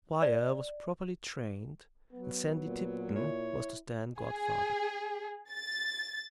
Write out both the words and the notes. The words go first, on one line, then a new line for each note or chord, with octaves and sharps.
The choir was properly trained, and Sandy Tipton was to stand godfather.
D5
F#3 B3
A#2
E4 C#5
G#4
A6